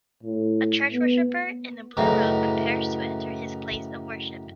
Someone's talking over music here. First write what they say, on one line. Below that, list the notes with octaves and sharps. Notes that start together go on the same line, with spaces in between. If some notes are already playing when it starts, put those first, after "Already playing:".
A church worshiper in a blue robe prepares to enter his place of worship.
A2
B3
F#2 A2 C#3 E3 D#4